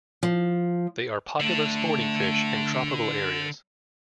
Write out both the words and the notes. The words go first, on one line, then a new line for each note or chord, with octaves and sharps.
They are popular sporting fish in tropical areas.
F3
D3 A3